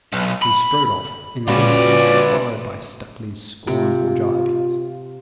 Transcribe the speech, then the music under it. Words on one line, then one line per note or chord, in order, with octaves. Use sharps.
He strode off, in heat, followed by Stuteley's scornful gibings.
B1
B5
A#2 C#4 F4 F#4 B4 D5
C3 F4